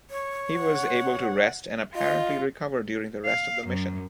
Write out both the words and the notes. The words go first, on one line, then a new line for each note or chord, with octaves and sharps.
He was able to rest and apparently recover during the rest of the mission.
C#5
F#5
F4 D#5
F5
F#2